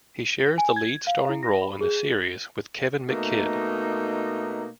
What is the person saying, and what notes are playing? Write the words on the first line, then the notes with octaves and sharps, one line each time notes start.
He shares the lead starring role in the series with Kevin McKidd.
G#5
G#6
F5
E4
A#6
B5
G#4
B2 A3 A#3 D#4